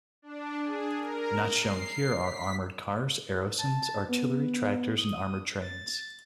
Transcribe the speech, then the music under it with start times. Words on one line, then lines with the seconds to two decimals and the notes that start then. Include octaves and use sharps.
Not shown here are armoured cars, aerosans, artillery tractors and armoured trains.
0.22 D4
0.63 G#4
0.97 A#4
1.49 C7
2.16 B6
3.58 A5
4.09 B3
4.98 D#6
5.61 A6